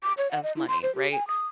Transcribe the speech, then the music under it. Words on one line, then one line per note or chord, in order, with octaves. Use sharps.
of money? Right?
D6
C#5
F#5
D#5
E4
C6
C5
G4
G#5
D#6